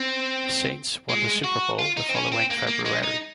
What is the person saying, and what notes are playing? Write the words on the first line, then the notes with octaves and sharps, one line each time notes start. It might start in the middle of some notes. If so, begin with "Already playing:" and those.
The Saints won the Super Bowl the following February.
Already playing: C4
G#3
F#4
F4
D#4
C4
C#4
C4
A#3
A#3
G#3
D#4